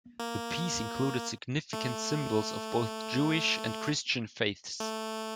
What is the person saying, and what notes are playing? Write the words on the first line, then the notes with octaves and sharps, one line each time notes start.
The piece included significant symbols of both Jewish and Christian faiths.
A#3
A3
A3